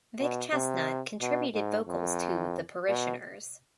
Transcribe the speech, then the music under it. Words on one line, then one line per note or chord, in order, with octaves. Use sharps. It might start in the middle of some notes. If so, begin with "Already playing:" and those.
Vic Chesnutt contributed vocals to "The Parishioners".
B2
C3
B2
G#2
F2
B2